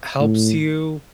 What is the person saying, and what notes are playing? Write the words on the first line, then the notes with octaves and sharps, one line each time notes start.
helps you
A2